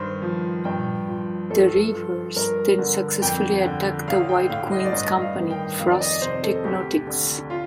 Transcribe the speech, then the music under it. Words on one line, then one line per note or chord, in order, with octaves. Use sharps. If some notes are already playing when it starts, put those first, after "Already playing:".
The Reavers then successfully attack the White Queen's company, Frost Technotics.
Already playing: G2 D#3 C5
F3
G2 G5
F3
G2 A4
F3
G2 A#4
D3
F2 G5
D3
A1 F5
G5
A2 F5
D#5
D5
G2 D#5
F5
D#3
G5
F2 F5
D5
D#5
C3 C5
A4
D2 G4
D3
F4